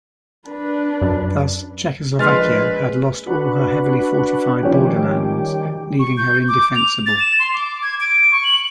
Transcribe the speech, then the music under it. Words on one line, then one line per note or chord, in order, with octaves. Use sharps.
Thus Czechoslovakia had lost all her heavily fortified borderlands, leaving her indefensible.
D4 B4
F#2
A#1 G#3 B4 C6 F6 A6
D4 F#4 B4
D#3 F3 G3 C#4 D#4 G4
C#6
G6
D6
F7
A6
E7
C6
D6
G#6
D7
C#6
F#7